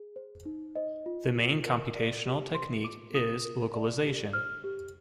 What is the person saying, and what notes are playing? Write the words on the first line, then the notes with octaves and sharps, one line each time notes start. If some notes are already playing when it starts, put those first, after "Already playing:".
The main computational technique is localization.
Already playing: G#4
C5
D#4
C5 D#5
F4
F4
A#4
D5
G4
C5 C6
F4 D6
F4 D#6
A#4
D5
G4
C5 F6
G4